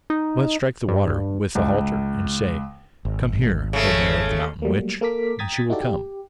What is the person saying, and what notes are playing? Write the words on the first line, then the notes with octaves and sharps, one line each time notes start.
But strike the water with the halter and say, "Come here, O mare of the mountain witch!" and she will come.'
D#4
G2
C#2
G#1
C#3 A3
F#3 G3 A3 A#3
A#3 A4 A#4 D6 B6
G5 A#5 D#6 G#6 A6 B6
D#4 E4 F#4 G4 A4 D5
G4